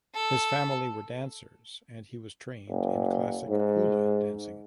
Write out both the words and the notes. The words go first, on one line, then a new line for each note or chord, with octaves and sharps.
His family were dancers and he was trained in classic hula dancing.
A4
F#1
G#2